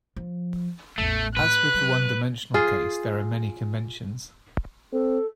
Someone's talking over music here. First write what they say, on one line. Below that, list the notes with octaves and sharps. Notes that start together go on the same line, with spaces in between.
As with the one-dimensional case, there are many conventions.
F3
A1 E2 A3
A2 E4 B4 F#6
F#3
F4 G#4
C4 A4